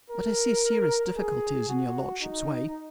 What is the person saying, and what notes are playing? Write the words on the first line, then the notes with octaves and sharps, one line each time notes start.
But I see serious difficulties in your lordship's way.
A#4
G#4
F#4
D#4